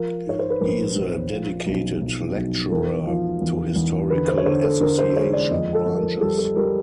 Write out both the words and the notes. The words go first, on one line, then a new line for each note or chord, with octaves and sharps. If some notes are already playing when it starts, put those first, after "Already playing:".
He is a dedicated lecturer to Historical Association branches.
Already playing: F3 A#4
G#2 C#5
C5
B4
A#1 A#4
A#1
F3
B1
B1
B1
E2 A#4
F3
E2
E2
D3 B4
C5
C#5
D3 C5
A4
D3 A#4
C5
G#3 C#5
D5
F2 D#5
A4
F2
A#4
G3 A4
A4
G3 A#4